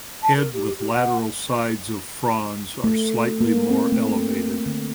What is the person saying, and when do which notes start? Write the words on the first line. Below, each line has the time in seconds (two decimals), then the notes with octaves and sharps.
Head with lateral sides of frons are slightly more elevated.
0.23 A5
0.37 A#4
0.53 G4
0.79 G4
0.93 F#5
2.84 A3
3.41 A#3
3.70 C4
3.92 A3
4.66 D3